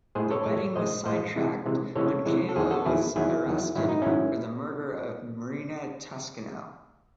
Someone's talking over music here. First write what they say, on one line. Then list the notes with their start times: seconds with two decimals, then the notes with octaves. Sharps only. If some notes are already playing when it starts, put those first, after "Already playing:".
The wedding was sidetracked when Kayla was arrested for the murder of Marina Toscano.
0.15 A2 G#3 G#4 C5
0.31 A4 C#5
0.46 A2 G#3
0.76 A2 G#3 C5 D#5
1.06 A2 G#3 C5 D#5
1.36 C3 E3 G#3
1.66 C3 E3 G#3
1.96 C3 E3 G#3 A4 C#5
2.26 C3 E3 G#3
2.49 A4
2.56 E2 D#3 F#3 G#4 C5
2.71 F#4 A4
2.85 E2 D#3 F#3 E4 G#4
3.16 E2 D#3 F#3 E4 G#4
3.46 E2 D#3 F#3
3.76 G#2 D#3 F#3 E4
3.89 D#4
4.02 G#2 D#3 F#3 C#4 E4